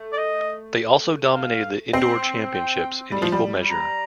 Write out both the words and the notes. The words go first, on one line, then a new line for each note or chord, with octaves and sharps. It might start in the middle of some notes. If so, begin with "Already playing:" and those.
They also dominated the indoor championships in equal measure.
Already playing: A3
D5
D#5
F5
C4
G5
G3
F3
G3
A#5